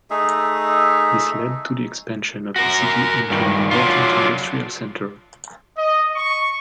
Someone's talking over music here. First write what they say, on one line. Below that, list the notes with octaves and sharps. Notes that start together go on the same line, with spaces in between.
This led to the expansion of the city into an important industrial center.
A3 D#4 G#4 E5
F#4 A#4
G2 D#3
F#3 D4 F4
D#5
C#6